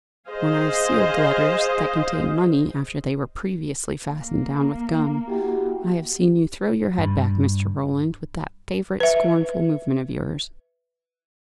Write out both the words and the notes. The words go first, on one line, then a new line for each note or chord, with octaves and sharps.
When I have sealed letters that contained money after they were previously fastened down with gum, I have seen you throw your head back, Mr. Roland, with that favourite scornful movement of yours.
G#4 C5 D#5 F5
A#3
E4 F#4 G4
G2
B4 E5